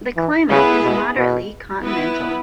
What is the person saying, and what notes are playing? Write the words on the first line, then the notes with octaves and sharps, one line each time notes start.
The climate is moderately continental.
E3
C#3 B3 E4 G#4 B4
B2
B2
B3 E4 B4